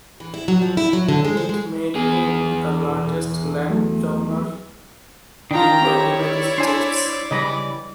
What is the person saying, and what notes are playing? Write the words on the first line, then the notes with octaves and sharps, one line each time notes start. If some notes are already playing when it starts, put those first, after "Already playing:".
It made him the largest landowner in the United States.
E3
E4
F#3
F3
E4
F#3
D3
G#3
C5
G#3
E2 B3 G#4
B2
F#3 A3
D#3 D4 F4 G5 A#5
C4 E4 G4 C#5
D5
D4 C5 G#5
C#3 E3 G3 D#5 B5